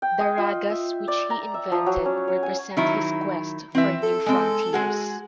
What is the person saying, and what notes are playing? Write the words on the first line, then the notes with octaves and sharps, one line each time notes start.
The ragas which he invented represent his quest for new frontiers.
G5
D#5
F4
E5
D5
A#5
E5
F3
F#3
C#4
C#5
G#5
D#3 F#3 E4
E3 C4 E5
A4
G#3 C4
G#3 F#4 G#4